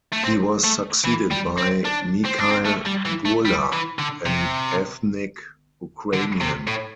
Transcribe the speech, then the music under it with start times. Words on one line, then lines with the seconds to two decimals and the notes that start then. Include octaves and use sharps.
He was succeeded by Mikhail Burla, an ethnic Ukrainian.
0.13 A3
0.25 C4
0.64 A3
1.05 E3
1.31 G3
1.58 C4
1.85 D4
2.25 C4
2.39 D4
2.51 C4
2.65 A3
2.86 G3
3.05 E3
3.25 A3
3.45 G3
3.73 E3
3.99 D3
4.26 C3
6.14 D3
6.41 C3
6.67 A2